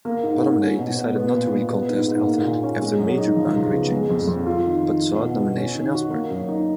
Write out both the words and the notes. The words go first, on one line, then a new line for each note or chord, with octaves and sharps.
Bottomley decided not to re-contest Eltham after major boundary changes, but sought nomination elsewhere.
A#3
G#2
G#2
C#4
B2
B2
B3
A#2
A#2
B3
G#2
G#2
A#3
A#2
C#4
G#3
F#2
D#4
F3
C#2
B3
G#3
F2
F2
F4
D#3
D#3
F4
B2
B2
C#4
D#3
F#4
A#3
F#2
D#4